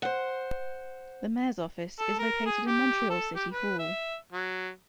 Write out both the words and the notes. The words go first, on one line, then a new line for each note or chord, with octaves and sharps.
The mayor's office is located in Montreal City Hall.
C5 F#5
A4
A#4
G#4
G4
A4
G4
B4
E5
F#3